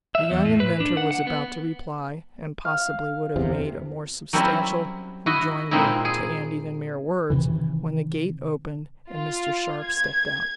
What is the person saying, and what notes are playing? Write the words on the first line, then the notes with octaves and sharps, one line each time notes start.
The young inventor was about to reply, and, possibly would have made a more substantial rejoinder to Andy than mere words, when the gate opened, and Mr. Sharp stepped out.
E5
E2
A2
B4
D4
F#5
F#5
B3
F5
E2 C3
F#3 G3 C4 C#4 E4
E4 F#4 D#5
A#2 G#3 A#3 C4 D#4 E4
G#4
C3 D#3 E3
F4
G#6